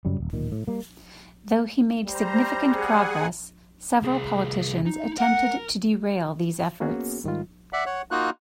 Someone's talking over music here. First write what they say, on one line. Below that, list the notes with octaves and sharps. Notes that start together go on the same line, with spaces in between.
Though he made significant progress, several politicians attempted to derail these efforts.
F#2 C#3 F#3 G3
D#1
D1 A#2 D#3
A2
G3 A#3
G3 C5 A#5
G#4 F#5 G#5
C2 G#4
D#4
A#4 F#5 A#5
A#3 B3 C#4 F#4 G#4
G#2 D#3 G3 F4
D5 E5 F#5
C#5 F#5
A#3 D#4 F4 F#4 F#6